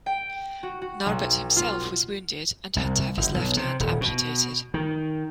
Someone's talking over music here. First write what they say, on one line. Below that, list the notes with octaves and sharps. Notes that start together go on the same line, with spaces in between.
Narbut himself was wounded and had to have his left hand amputated.
G5
F#4
F#4
B1
F4
C2
G1
B1
C3
D#1
B2
D#3